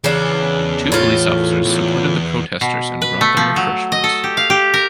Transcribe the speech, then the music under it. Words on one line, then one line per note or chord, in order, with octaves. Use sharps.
Two police officers supported the protesters and brought them refreshments.
E2 C#3 D4
A2 F4
E2
B2
B4
A3
F3
F#3
D#5
A4
G4
F5
G4
A#4